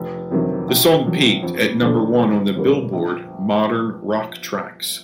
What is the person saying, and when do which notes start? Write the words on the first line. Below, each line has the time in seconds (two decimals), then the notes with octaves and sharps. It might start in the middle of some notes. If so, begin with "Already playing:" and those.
The song peaked at number one on the "Billboard" Modern Rock Tracks.
Already playing: F1
0.31 F2 C3 D#3 F#3
0.69 A#1
1.06 A#2 F#3
1.43 F2
1.81 D3 F3 A3 D4
2.18 G1
2.56 F2 D3 G3 A#3
2.93 A#1